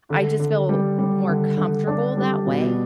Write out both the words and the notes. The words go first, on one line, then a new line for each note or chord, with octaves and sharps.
I just feel more comfortable that way.
D3
D3
G3
G3
D3
D3
D4
G3
B2